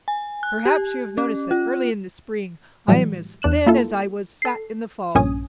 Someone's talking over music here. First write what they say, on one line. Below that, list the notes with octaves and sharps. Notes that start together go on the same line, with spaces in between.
Perhaps you have noticed that early in the spring I am as thin as I was fat in the fall.
G#5
F#6
G4
C#4
F4
A2 E3 F#3 G3
E2 D4 F#6 E7
A#3 E4 F4 A4
A4 C7
A#1 G2 C#4 G#5 D#6